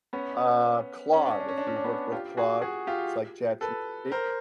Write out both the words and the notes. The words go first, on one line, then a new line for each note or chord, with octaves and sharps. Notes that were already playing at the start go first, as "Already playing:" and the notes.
uh, Claude, if you work with Claude, it's like ChatGPT
B3 C#4
C#4
D4
C#4
D4
C#4
D4
C#4
D4
B3 C#4
F4 G4
F#4 G#4
F#4 G#4
F4 G4
A4 B4
A#4 C5